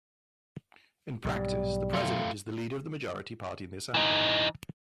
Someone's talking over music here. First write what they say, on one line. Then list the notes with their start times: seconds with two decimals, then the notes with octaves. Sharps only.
In practice, the president is the leader of the majority party in the Assembly.
1.25 B1 G#2 G3
1.93 B2 F#3 A3 F4
3.94 E3 D#4